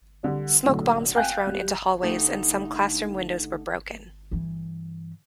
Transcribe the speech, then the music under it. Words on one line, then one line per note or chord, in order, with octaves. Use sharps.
Smoke bombs were thrown into hallways and some classroom windows were broken.
D3 G3 D4
B1 A2 D3 A3
F5 G5 G#5 F#6 G6
G3
D3 A3 D#4 E4 G4 A5
G2 E3